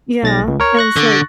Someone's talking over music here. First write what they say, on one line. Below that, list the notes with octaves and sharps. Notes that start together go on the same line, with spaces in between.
Yeah, and it's, like
B1 A6 A#6
C#2
A#4 C#5
C#6 F#6 A#6
D3